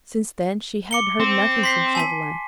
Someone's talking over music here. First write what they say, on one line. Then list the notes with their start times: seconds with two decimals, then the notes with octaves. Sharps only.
Since then she had heard nothing from Chauvelin.
0.91 D6 C#7 G7
1.20 C4
1.63 C6 B6 C7
1.95 G#5 A5 B6